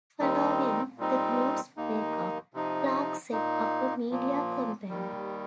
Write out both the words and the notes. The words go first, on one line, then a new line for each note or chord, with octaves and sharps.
Following the group's break-up, Clark set up a media company.
D#2 D#3 G3 C4 D#4
A#2 G3 C4 D#4
D#2 D#3 A#3 D#4
C3 F3 D#4
A#2 A#3 D#4
A#2 F3 A#3
D#2 D#3 G3